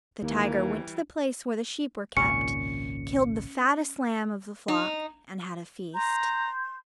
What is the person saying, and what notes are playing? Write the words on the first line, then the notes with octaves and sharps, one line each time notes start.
The tiger went to the place where the sheep were kept, killed the fattest lamb of the flock and had a feast.
D#2 E3 G3 A#3
G#1 C#2 A#2 C#4 C#7
D#4
A#5 C6 G6